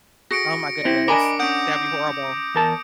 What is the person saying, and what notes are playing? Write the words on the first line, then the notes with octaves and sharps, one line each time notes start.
Oh, my goodness. That'd be horrible.
F#4 G#4 A#6 C#7 D7
C4 E4 G4
D4 A#4 D#5 G#5 B5 D6
C#4 F#5 D#6 G6 D7
E2 A#4 A5